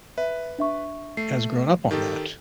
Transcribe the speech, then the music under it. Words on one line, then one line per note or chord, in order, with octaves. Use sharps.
has grown up on that,
B4 E5
D4 E5 C#6
A3 C7
D#3 G4 A4